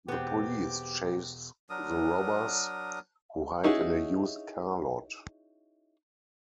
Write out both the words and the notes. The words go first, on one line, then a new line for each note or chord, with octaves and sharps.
The police chase the robbers, who hide in a used car lot.
E1 B3 C4 G4
F#3 D4 A#4 D#6
C#4 D#4 E4 F#4 G#4